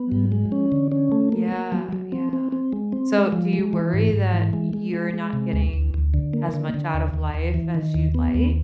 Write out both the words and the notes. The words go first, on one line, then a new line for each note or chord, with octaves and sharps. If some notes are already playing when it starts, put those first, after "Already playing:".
Mm. Yeah, yeah. So, do you worry that you're not getting as much out of life as you'd like?
Already playing: B3
G#2
G#3
C#4
D3
C#4
A3
A#3
A#3
F#3
F#3
C4
C4
C4
G#3
C4
G#3
F3
G#3
E3
G#2
G#2
E3
G#3
G#3
G#3
G#3
C3
D2
D2
D2
D3
A#3
D3
D3
D#2
D#2
D#2
E3
D#3
D#2
B3
D#2